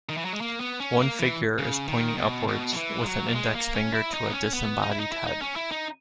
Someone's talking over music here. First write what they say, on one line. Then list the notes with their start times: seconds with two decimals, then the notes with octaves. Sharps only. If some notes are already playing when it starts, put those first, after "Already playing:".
One figure is pointing upwards with an index finger to a disembodied head.
0.09 D#3
0.17 E3
0.25 F#3
0.33 G#3
0.41 A#3
0.60 B3
0.80 C#4
1.00 A#3
1.19 E3
1.58 C#3
1.88 D#3
2.17 B2
2.48 B2
2.73 F#3
2.77 E3
3.01 G#3
3.05 F#3
3.26 A#3
3.36 G#3
3.55 A#3
3.75 C#4
3.94 E4
4.13 D#4
4.26 B3
4.33 C#4
4.53 B3
4.82 D#4
4.91 E4
5.00 D#4
5.12 E4
5.26 D#4
5.42 C#4
5.56 E4
5.71 D#4